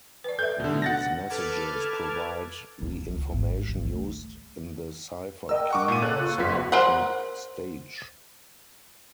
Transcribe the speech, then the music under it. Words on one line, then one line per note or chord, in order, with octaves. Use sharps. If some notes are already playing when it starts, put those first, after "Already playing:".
These messages provide the information used in the cipher key selection stage.
B4 D5
A4 E5 G6
B2 D3
F#5 A6 A#6
A4 B4 A5 D6 F6 G#6
D#2
C#2
G#1
D#3
C#3 A3
A#4 D#5 G5 E6
F#5 C#6 D6
A#2 D#7
C#3 A4 C#5 F#6
F4 C#6
F#1 B3 F4 F#4 B6
A#4 C5 F#5